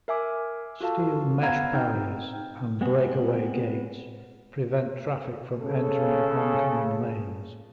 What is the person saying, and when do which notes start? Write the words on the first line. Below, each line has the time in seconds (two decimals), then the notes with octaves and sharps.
Steel mesh barriers and breakaway gates prevent traffic from entering oncoming lanes.
0.08 A#4 E5 G#5 D6
0.80 F4 F#4 A4 F5 A5
1.42 B3 F5 F#5 A#5 B5 G#6
1.73 C4 D#4 G5 F6 G6
2.81 G#3 B3 C4 G#4
5.60 C#3 A4